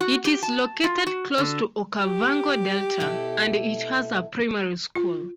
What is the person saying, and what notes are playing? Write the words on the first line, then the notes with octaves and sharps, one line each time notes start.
It is located close to Okavango Delta and it has a primary school.
F#4
G4
A5
F4
F#4
D3
G4
B2 E4 A4
F4